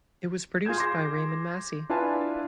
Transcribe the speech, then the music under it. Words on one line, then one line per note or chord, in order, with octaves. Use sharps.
It was produced by Raymond Massey.
F4 G#4 G6 G#6 E7
C6 D6 A#6
D4 E4 F4 B4 G#5 A5